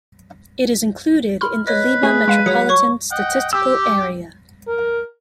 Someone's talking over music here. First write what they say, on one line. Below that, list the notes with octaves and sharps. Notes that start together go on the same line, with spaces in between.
It is included in the Lima Metropolitan Statistical Area.
B5 C6 F6
B4 C#5 D#5
A3 G#4
G#3 F5 D#7
F#3 G#4 C#5 C#7
C#5 C#6
D#5 F#5 G5
G4 E6
A#4